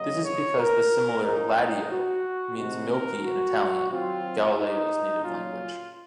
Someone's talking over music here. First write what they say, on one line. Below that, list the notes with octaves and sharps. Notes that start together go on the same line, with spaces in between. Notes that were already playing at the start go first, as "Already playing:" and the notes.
This is because the similar "Latteo" means "Milky" in Italian, Galileo's native language.
Already playing: F#2 C#3 F#3 A#3 D#5
C#5
A#4
A#2 F3 A#3 C#4 D#4
F#4
C3 D#3 G#3 D#4 F#4
A#4
F#4
D#3 F#3 C4 F4
D#4
A#2 F#3 C#4 F4